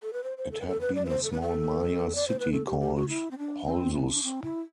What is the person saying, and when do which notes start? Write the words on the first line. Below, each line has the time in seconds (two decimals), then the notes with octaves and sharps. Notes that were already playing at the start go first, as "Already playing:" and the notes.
It had been a small Maya city called Holzuz.
0.03 A4
0.13 B4
0.24 C5
0.38 C5
0.52 A4
0.61 B4
0.67 A4
0.81 B4
0.95 D5
1.05 B4
1.09 C5
1.24 A4
1.32 B4
1.42 A4
2.15 D5
2.28 C5
2.39 B4
2.53 A4
2.66 G4
2.81 G4
2.96 F#4
3.09 E4
3.31 C4
3.38 D4
3.66 C4
3.95 B3
4.13 D4
4.23 C4
4.43 E4